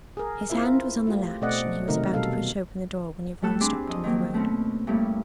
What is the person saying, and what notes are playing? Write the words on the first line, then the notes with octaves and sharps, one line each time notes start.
His hand was on the latch and he was about to push open the door, when Yvonne stopped him with a word.
G#4 A#4
C4 E4 F4 A#4 E5
A3 F4 G4
B2 A3 C4 D5 D#5 F#5
C3 D#3 F#3 A3 D#4 A#4
B2 F#3 G3 A4 F5
A2 G3 A3 A4 E6 F#6
C4 D4 G#4 B4 C5 D6
F2 D#5 D#6
D#3 F#3 A#3
B2 A3 C4 C#4
G2 A3 A#3 C#4 E4